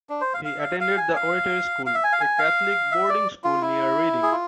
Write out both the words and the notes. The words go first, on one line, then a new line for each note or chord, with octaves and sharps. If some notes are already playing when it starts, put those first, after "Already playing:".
He attended The Oratory School, a Catholic boarding school near Reading.
D4
C5
F5
F5
E5
F5
F5
G#5
F5
F5
E5
G#5
F5
G#5
F5
E5
D5
F4
E4
G#4
F4